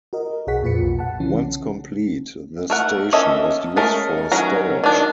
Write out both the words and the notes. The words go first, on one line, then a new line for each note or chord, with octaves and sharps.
Once complete, the station was used for storage.
F#4 A#4 D#5
B1 G#4 C#5 F#5 B6
F2 A#2 F4 B4 C#7
B1
F#5 A5
C#3 E3 C#4
A3 A#4 F#5
A#3 C#4 A4 D#5 E5
G#3 A3 C#4 A#4
D#3 F#3 C#4 A#5
D#3 D4